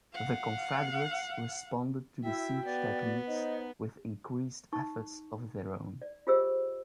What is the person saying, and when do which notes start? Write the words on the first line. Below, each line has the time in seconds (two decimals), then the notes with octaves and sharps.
The Confederates responded to the siege techniques with increased efforts of their own.
0.13 F5 F#5
2.23 E4 F#4 E5 G5
2.65 B3 D5
3.27 D#4 C5 D#5
4.73 D#4 C#6
6.02 D5
6.27 F4 G4 G#4 C5 D#5 E6